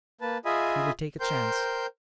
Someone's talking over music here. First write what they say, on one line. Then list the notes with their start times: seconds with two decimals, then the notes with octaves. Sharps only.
We will take a chance.
0.21 A#3 B4 A5
0.45 F4 G#4 D#5 E5 G#5 B5
1.20 A#4 C5 G5 C6 G6